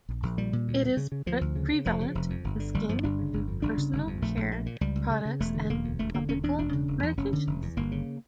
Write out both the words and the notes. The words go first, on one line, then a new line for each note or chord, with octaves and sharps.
It is prevalent in skin and personal care products and topical medications.
A#1
A#1
A#2 G3
A#2
D2
D2
C#3
C#3
D2 F3
D2
C#3
C#3
F1 F3
C#3
F1
F2
G1
D3
G1 G3
G2 F3
G1 D4
C#3
G1
F2
G1 D4
C#3
G1
F2
A#1 A3
A#1
A#2
A#2
C#2 G3
C#2
C#3
C#3
E1 A3
D3
E1 A#3
D2
E1 A3
D3 A#3
E1 C#4
E2 D4
E1 D4
C#3
E1
E2
F1 C#4
D3
F1
E2
G1 A#3
C#3